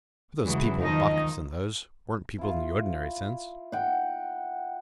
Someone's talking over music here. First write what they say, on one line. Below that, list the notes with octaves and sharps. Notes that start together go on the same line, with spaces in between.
But those people, Bacchus and those, weren't people in the ordinary sense.
E2 C#3 E3 F#3 G#3
D#3 F3 D#4 D#5
E4 F4
F#5 G5